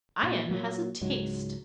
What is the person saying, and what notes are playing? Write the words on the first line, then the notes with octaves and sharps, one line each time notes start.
"Iron has a taste."
A#2
A#2 F#3 A#3
C#2 G#2 F#3 G#3